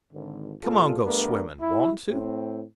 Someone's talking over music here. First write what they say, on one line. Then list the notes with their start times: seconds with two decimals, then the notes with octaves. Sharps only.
"Come on go swimmin'--want to?"
0.12 G#1 D3
0.62 C2 A#2 F4 G#4 A4
1.05 G2 A3 B3 D4 A#4
1.60 E4
2.09 A2 C4